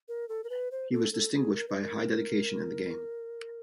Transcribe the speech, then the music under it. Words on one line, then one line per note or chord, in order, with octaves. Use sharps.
He was distinguished by high dedication in the game.
A#4
A4
A#4
B4
C5
A4
A4
G#4
A#4
B4
A#4